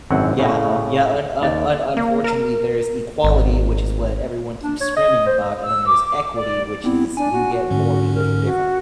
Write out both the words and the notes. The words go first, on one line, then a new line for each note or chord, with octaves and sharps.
Yeah, uh, yeah, un uh, un unfortunately there is equality, which is what everyone keeps screaming about, and then there's equity, which is you get more because you're different.
G#1 F#2 B2 C4 E4 F#5
A2 C#3
D#2 D5
A#3
A#4
G#1
D4
C#5
D#5
C5
E6
D6
D5
B3 C4 E4
D4 G#5
F#4
G#2 D3 C#4
A#4
F#4